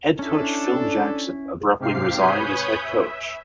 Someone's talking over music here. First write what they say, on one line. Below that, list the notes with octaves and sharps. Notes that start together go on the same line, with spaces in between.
Head coach Phil Jackson abruptly resigned as head coach.
C#4 D4 E4 A4
G#2 C3 G4 F5 C7
B4 C#5 G#5 B5 D#6 G6
E5